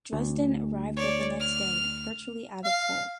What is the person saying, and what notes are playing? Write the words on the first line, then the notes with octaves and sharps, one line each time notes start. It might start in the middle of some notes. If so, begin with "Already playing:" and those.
"Dresden" arrived there the next day, virtually out of coal.
D2
C#5 D5
F6
F5